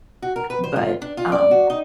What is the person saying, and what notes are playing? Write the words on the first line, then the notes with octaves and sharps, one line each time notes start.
but, um,
F#4
A#4
B4
C5
F4
D4
F4
D5
F#4
D#4